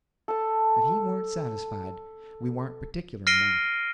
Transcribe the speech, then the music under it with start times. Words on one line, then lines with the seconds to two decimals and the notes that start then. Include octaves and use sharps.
But he warn't satisfied; we warn't particular enough.
0.28 A4 A5
3.27 F6 A#6 C7 D7 D#7 G7